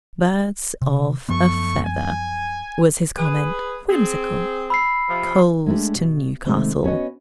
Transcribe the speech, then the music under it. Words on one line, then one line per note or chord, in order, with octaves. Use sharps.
"Birds of a feather," was his comment, whimsical; "coals to Newcastle!"
C3
F#2 F3 A3 B3 C#6
G#5
G#4 B4
C4 G#4
B5 E6 C7
C3 F3
G#3 A3 C#4 D4 G4
B2
C3 D#3 G#3 A3 C4
G3 B3 C#4 F#4 D#5